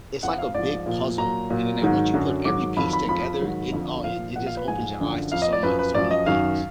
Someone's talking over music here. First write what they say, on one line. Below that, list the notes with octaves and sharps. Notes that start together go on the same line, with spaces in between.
it's like a big puzzle, and then that once you put every piece together, it, uh it it just opens your eyes to so mu so many things.
F2 F3 F#5
F5
G#2 F3 D5
A#2 F3
A#2 F#3 A#5
A#2 F#3
G#2 D#3 F#3
F#2 D3 F#3
G#2 D#3 F#3 D6
F2 D#3 F#3 B5
B5
F2 F3 B5
G#2 D#3 F#3
F2 D3 F3
A#2 F3 F5
A#2 F3 F#5
F5
B4
G#2 F3 G#5
F#2 D3 F3
F2 F3 F5
D#5
D5
F#2 F3 B4
B4
F#2 F3 D5
D#5
F#2 D#3 F#3 F5